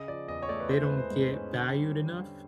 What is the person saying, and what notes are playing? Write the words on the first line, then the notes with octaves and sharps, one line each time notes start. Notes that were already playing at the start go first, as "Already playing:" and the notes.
they don't get valued enough
Already playing: C#3 D#5
F3 D5
E2 D#5
C#5
A3 D5
B4
E3 C5
B4
G#3
C5
G#2
C#4
D3
G3